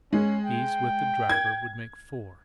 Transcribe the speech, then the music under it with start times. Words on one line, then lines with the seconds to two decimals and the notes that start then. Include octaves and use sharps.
These, with the driver, would make four.
0.13 G#3 C#4
0.44 G5
1.30 G#6